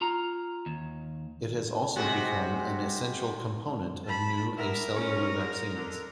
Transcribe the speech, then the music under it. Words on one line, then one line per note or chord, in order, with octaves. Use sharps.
It has also become an essential component of new acellular vaccines.
F4 A#5
D#2
C3 G#3 F#4
A5 B5
B3 D4 E4 A#4
C#4
G#2
D3